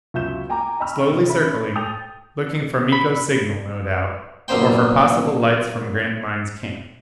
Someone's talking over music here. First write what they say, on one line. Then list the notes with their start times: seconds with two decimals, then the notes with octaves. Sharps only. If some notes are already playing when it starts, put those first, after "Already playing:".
Slowly circling, looking for Miko's signal, no doubt, or for possible lights from Grantline's camp.
0.14 C#2 F#3 E5 C#6 G6 E7
0.50 G5 G#5 A#5 D6
0.80 D#5 G5 B5 C#6 E6 F6
1.09 C3
1.29 C#4 E5 B5
1.75 G5 D#6 G6 A6 F7
2.92 B5
4.48 B1 A#2 D3 A#3 C5 G5